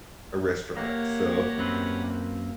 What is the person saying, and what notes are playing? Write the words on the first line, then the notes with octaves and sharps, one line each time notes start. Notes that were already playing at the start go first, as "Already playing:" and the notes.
a restaurant. so,
A#3 G4 C#5 F#5
F#2 C4 B4